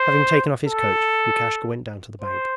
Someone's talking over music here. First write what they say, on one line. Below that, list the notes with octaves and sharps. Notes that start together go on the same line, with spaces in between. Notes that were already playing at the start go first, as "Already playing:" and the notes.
Having taken off his coat, Lukashka went down to the bank.
Already playing: C5
A4
C5